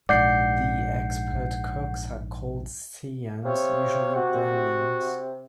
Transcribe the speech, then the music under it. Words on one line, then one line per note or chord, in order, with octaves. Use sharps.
The expert cooks are called "Siyans", usually Brahmins.
A#1 G#2 D5 F#5 G6 C7
C3 C#5 F5
F#4